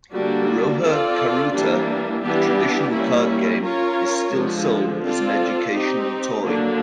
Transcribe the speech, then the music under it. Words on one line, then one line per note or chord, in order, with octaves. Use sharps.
"Iroha karuta", a traditional card game, is still sold as an educational toy.
D3 G3 A#3 D4 F#4
C4 F4 A4 D5
E3 G3 A#3 D4
E3 G3 B3 D4 G4
G3 A#3 C#4 E4
C#4 F4 A#4 C#5
D3 F3 G#3
C4 F4 A4 D5
C4 D#4 G4
D3 F#3 A#3 D4